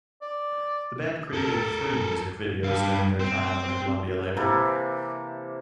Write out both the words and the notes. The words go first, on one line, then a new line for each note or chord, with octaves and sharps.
The band created three music videos during their time on the Columbia label.
D5
A4 A#4
G2 F5
C4 C5
C3 E3 A#3 A4